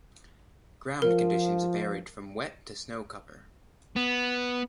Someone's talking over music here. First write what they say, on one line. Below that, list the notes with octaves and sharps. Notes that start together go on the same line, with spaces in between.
Ground conditions varied from wet to snow cover.
F3 A#4
B3